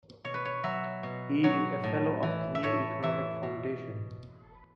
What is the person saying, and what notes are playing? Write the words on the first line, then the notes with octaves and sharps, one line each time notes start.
He is a fellow of the New Economics Foundation.
B2 C#5
B4
C#5
F#3 E5
B2
F#3 C#5
A2
E3
E5
A2 C#5
E3 E5
B2